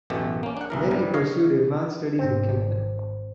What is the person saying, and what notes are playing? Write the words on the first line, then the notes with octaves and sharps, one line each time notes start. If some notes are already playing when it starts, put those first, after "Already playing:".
Then he pursued advanced studies in Canada.
A1 F#2 B2 A3 G4
A#3 C#4
D4 F#5
B1 E3 A#4
G2 C3 G3
C#5 D#5 F5
G#1 C4